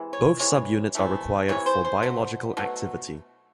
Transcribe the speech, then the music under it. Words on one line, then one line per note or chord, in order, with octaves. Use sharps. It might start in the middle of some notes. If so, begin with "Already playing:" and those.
Both subunits are required for biological activity.
Already playing: C3 E3 G#3
C#5
C3 E3 G#3 C#5
C3 E3 A3
C3 E3 A3 C#5
C5
C5
B2 F#3 A3
B2 F#3 A3